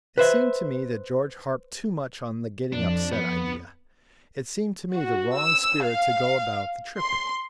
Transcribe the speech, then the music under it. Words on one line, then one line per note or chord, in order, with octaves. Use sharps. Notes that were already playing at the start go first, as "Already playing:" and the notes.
It seemed to me that George harped too much on the getting-upset idea. It seemed to me the wrong spirit to go about the trip in.
B4 C5 E5
F2 D4
B3
F#4
E6
F5
C6